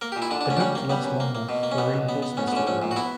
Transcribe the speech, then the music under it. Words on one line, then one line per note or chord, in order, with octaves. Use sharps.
They hoped to last long enough for reinforcements to arrive.
A#3 A#4
G4
A#2
E4
D3 D4
D4
D2 C#4
D4
G3 C#4
A#3
G3 B3
F#2
A#3
A#3
B2
A#3
C#4
B1 B3
B1
B3
B3
D2 C#4
B3
D3 C#4
A#1 C#4
A#2
F#4
B3 E4